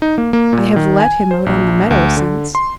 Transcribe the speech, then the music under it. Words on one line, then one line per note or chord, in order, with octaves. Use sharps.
"I have let him out on the meadow since."
D#4
A#3
A#3
A#2
D#3
G#5
C5
A#1
D2
D3
C6